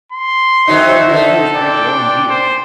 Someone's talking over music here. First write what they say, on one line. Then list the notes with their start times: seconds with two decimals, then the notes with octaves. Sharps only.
this is why Europeans drink warm beer
0.12 C6
0.67 F2 F#3 D#4 C5 E5
1.09 D3 D#4 A4
1.54 A#2 D4 D5 G5
2.30 C5